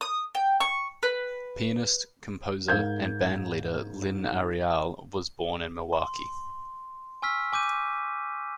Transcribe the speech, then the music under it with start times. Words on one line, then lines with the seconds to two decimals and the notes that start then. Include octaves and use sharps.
Pianist, composer, and bandleader Lynne Arriale was born in Milwaukee.
0.01 D#6
0.35 G5
0.60 C#6
1.03 B4
2.68 G#2 A#4 F5 G6 G#6
5.93 C6
7.22 G#5 C#6 E6 F6 B6
7.53 G#5 D6 G6 D#7